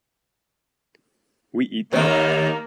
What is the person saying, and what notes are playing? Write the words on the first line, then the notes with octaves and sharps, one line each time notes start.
We eat that?
D#2 D#3 A#3 A#4